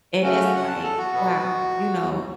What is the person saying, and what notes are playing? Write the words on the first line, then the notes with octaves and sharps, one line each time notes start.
and it's like, "Wow," you know,
C#3 A3 C#4 F#4
F#4
F#4
F#5
A5
A4
F#4
B2 B3